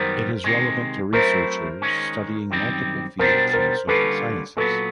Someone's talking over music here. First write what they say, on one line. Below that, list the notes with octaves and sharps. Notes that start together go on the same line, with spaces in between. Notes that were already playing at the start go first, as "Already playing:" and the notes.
It is relevant to researchers studying multiple fields in social sciences.
Already playing: F#2 D#3 G3 B3 A#4 C5
C3 D#3 G#3
F#3 A3 C4 E4 A#4 C5
D#3 G#3 C#4
F#2 D#3 G3 C4
B2 G3 B3 D4 A#4 C5
A#4 C5
D3 G3 A#3 C#4 F4 A4 B4
A#2 F#3 B3 A4 B4